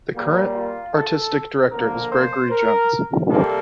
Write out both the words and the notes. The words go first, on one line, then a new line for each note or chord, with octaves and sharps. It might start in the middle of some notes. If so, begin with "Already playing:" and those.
The current Artistic Director is Gregory Jones.
A#2 G3 A#3
F4
A4
D3 F3 A#3 A#4
C5
A#4
C3 G3 A#3 A4